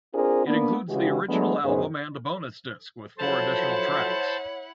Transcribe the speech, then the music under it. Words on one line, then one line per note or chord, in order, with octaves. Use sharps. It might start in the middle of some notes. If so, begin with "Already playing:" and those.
It includes the original album and a bonus disc with four additional tracks.
C4 D4 F4 G#4 A#4 C5
A#3 B3 D4
C#3 E3 G#3 F#4 G4
F#3 G#3 A3 B3 D4
F#2 B2 D#4 G#4 B4 C5
F3 F#3 E4 A4 C5 C#5 F#5 A5